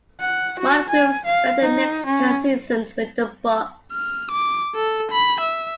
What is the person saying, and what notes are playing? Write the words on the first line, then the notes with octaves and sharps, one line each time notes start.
Moncrief spent the next ten seasons with the Bucks.
F#5
F#4
G#5
F5
D#4
C#4
F6
D6
A4
B5
E5